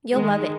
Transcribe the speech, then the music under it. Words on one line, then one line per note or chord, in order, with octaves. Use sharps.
You'll love it.
D#3 G#3